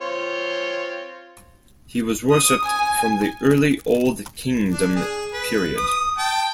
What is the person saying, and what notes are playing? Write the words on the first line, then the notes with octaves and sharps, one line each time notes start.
He was worshipped from the early Old Kingdom period.
C4 F4 C#5
D#6
G#5
D4
G#4
B4
D#6
G5 A5